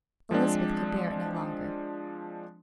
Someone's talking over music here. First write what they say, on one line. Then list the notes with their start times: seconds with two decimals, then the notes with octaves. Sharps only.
Elizabeth could bear it no longer.
0.31 F3 G#3 C4 D4